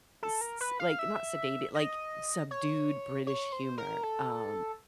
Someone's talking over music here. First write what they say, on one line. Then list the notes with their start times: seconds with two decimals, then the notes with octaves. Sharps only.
s s like, not sedated like, subdued British humor, um,
0.23 A4
0.41 A#4
0.61 B4
0.80 F5
0.99 E5
1.75 D#5
2.51 C#5
3.27 C#5
3.52 C5
3.78 A#4
4.03 A4